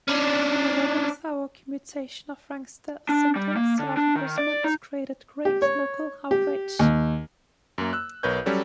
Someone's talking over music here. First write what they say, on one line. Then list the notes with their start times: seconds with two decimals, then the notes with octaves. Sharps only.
An eleventh-hour commutation of Frank's death sentence to life imprisonment created great local outrage.
0.08 C#4 D4
3.09 D4
3.36 G3
3.56 A#3
3.79 D3
3.97 D4
4.16 D#3
4.38 D5
4.64 D#4
5.45 G4
5.62 C#5
6.31 G4
6.79 D#2
7.78 F#2 A#3
7.93 E6 F#6
8.23 B1 A#4 B4 C#5 G6
8.46 F#3 G3 C#4 A4